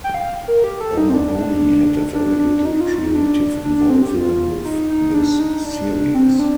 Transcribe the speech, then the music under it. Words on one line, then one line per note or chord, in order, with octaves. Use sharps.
O'Mahony had very little creative involvement with this series.
G5
F5
A#4
G4
A4
D#4
C4
D4
D4
D4
D4
D#4
F4
D#4
D4
D4
D4
C4
G4
F4
D#4
D#4
D4
D#4
D4
C4
D4